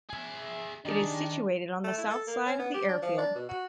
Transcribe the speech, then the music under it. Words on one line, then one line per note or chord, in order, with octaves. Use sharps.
It is situated on the south side of the airfield.
G#4 E5
D#3 D4 D#4 G4 G#4
A3
E4
A4
A#3
C#4
B3
G4
D4
F3
D4
B2
F#4